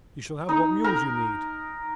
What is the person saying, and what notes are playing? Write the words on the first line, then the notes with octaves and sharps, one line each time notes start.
You shall have what mules you need.
D#4
A#4